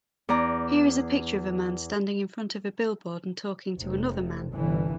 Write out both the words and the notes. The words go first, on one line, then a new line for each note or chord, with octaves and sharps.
Here is a picture of a man standing in front a billboard and talking to another man.
E2 D5 A#5
F1 C3
G1 C3 E3